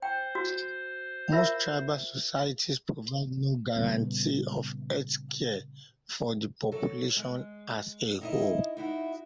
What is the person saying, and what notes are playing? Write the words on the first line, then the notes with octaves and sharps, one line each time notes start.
Most tribal societies provide no guarantee of healthcare for the population as a whole.
C5 G5
F#4
F4 A#4 E5
A#2 C#3 G3 B3
F#3 A4
G#3
D#4 E4 D#5
D#4 E4 F#4